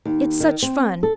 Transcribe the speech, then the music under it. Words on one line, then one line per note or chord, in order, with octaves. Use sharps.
It's such fun!
D#2
D#3
C4
A4